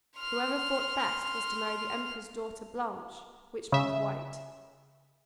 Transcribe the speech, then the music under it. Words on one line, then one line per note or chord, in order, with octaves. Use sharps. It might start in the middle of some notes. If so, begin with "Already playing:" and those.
Whoever fought best was to marry the Emperor's daughter Blanche, which means white.
C6 F6
C#3 E5